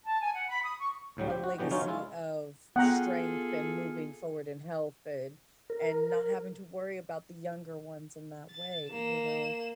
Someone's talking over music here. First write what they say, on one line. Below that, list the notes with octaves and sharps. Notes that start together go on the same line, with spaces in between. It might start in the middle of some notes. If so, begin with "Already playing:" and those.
a legacy of strength and moving forward in health and and not having to worry about the younger ones in that way, you know?
A5
G#5
F#5
B5
D#6
C#6
D2 A2 F#3 G3
C4 G4
F#4
D3 E3 F#3 B3 G4
F#3 C#4 D#4 F4 C#5
G#3 E4 F4
B3 F4 G#4 A4 F#5 G5 A#5
A#4
A6
A#3 E7